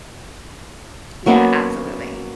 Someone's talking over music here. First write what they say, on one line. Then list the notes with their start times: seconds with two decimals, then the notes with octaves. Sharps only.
Yeah, absolutely.
1.26 F#3 A#3 B3 C#4